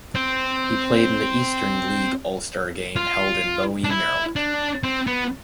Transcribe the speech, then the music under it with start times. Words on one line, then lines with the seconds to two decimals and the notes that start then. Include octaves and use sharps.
He played in the Eastern League all-star game held in Bowie, Maryland.
0.15 C4
2.96 F4
3.84 D4
3.90 E4
4.36 D4
4.83 C4
5.07 B3